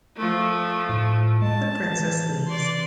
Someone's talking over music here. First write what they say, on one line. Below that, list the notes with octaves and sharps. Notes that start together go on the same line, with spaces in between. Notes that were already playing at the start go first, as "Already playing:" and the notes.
The Princess leaves.
F3 A3
A2
G#3 A5
E3
D5 C6